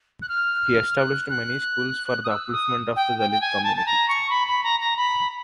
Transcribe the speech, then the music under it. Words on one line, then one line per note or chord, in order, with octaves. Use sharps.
He established many schools for the upliftment of the Dalit community.
F#6
F6
F#6
F#6
D#6
E6
D#6
G5
G5
G5
G#5
A5
A5
A#5
C#6
B5
B5
A#5
A#5
B5